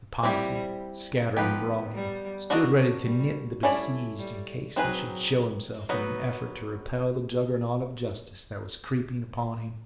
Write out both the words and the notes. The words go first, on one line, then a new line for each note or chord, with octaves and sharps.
The posse, scattering broadly, stood ready to nip the besieged in case he should show himself in an effort to repel the juggernaut of justice that was creeping upon him.
G3 C4 E4 G4
F3 B3 D#4 G4
G3
D4 F#4 A#4 D#5
G3
G3 C#4 E4 A4 D5
G3
F#3 C4 D#4 G#4 B4
F#3 B3 D#4